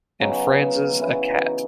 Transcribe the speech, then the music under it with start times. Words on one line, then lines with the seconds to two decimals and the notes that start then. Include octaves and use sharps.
And Franz's a cat.
0.20 C#3 F#3 B3 D#4
1.01 C#3 E3 F#3 B3 E4
1.29 D#4